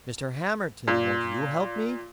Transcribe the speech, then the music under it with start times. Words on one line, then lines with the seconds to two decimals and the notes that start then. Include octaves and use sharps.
"Mr. Hamerton, won't you help me?"
0.88 A#2